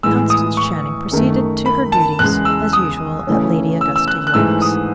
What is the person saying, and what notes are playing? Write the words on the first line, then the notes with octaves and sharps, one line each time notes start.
Constance Channing proceeded to her duties as usual at Lady Augusta Yorke's.
A2 E3 G#3 E6
D#6
C#6
F#2 D#3 A3
B5
A5
E2 C#3 G#3 F#6
E6
D#6
C#3 E3 A3 C#4
E6
E6
F#6
F#6
G#2 E3 A3 E6
D#6